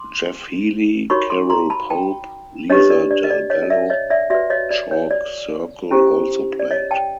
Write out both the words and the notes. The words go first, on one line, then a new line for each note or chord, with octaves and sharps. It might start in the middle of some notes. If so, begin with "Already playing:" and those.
Jeff Healey, Carole Pope, Lisa Dalbello, Chalk Circle also played.
Already playing: C6 D6
D#4 F#4 A#4 C#5 B5 C#6
C6 D6
A#5 C6
A5 B5
G5 A5
D4 G4 B4 C#5 D#5
D5
D5
D#5
D5
C#5 D#5
D#5
D5 E5
C#5 D#5
D5 E5
F#4 B4 D5 E5
C#5 D#5
D5
C#5
D5
C#4 E4 G4 C5
D5
C#5 D#5
G5 A5